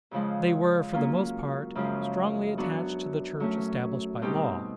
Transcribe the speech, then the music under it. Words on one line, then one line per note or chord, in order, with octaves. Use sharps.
They were for the most part strongly attached to the Church established by law.
F2 C#3 F3 G#3
F#3 A#3 C#4 F4
F#2 C#3 F3 G#3 C#4
F#3 B3 D4 F#4
F#3 A3 C#4
B2 G3 C4 D#4 G4